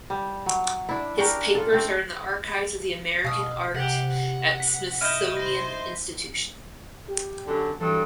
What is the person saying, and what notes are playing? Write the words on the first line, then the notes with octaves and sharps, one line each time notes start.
His papers are in the Archives of American Art at Smithsonian Institution.
G3
F#3
D4 E4
C#4 D4 G4 A#4
F4 A4
A3 C4
B2 F5 D#6 E6
C3 G4 F#5
F#5
B6
D#4 E4 D#5 F6 G6 D#7 E7
C5 C6 A#6
G4
F#2 D3
G2 E3 F#3 A4